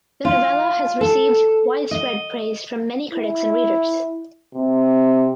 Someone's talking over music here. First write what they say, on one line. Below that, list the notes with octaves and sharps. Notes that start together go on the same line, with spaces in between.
The novella has received widespread praise from many critics and readers.
F4
A4
D#5
E4
C3